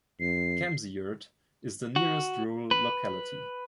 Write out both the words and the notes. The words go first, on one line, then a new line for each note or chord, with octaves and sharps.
Kemsiyurt is the nearest rural locality.
F2 C7
F#4
B4